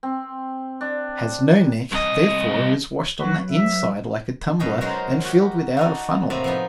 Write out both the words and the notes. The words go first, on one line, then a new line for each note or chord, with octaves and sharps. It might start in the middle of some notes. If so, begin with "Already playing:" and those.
Has no neck, therefore is washed on the inside like a tumbler, and filled without a funnel.
C4
D4
C2 D#5
F#3 F#4 B4
E5
F#2 B2 D#5 G5
F#3 G#3 D#4 F#4 A#4 C5
F#4 G4
D4 D#4 F#4
A2 C3 A#3 C4 D5
F3 B3 D#4